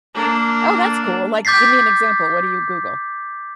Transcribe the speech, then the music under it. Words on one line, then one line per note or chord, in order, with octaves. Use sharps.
Oh, that's cool, like, give me an example. What do you Google?
A#3 D4
D6 G6 A6 B6 C7